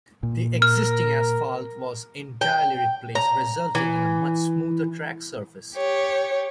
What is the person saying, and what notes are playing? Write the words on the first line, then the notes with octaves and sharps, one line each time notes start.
The existing asphalt was entirely replaced, resulting in a much smoother track surface.
A#2
A#4 F6
G5
A#5
E3
G4 C#5